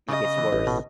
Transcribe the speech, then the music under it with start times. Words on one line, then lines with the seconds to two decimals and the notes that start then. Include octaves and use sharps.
It gets worse,
0.09 C#3 D#5
0.24 C#3
0.38 E3
0.53 A1
0.67 B2